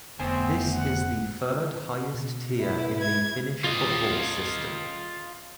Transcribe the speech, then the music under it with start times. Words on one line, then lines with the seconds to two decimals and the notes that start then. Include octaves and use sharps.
This is the third highest tier in the Finnish football system.
0.20 F1 D2 B3 C4 C5 G#5
0.73 F#5
2.14 B2
2.60 E4 B4
3.02 G#6
3.64 F4 D#5